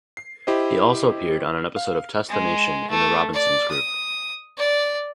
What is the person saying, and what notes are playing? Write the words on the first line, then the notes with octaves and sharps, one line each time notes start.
He also appeared on an episode of "Test the Nation" in the Robinsons group.
C7
E4 G4 C5 D#5
F5
G#3
A3
D5
D#6
D5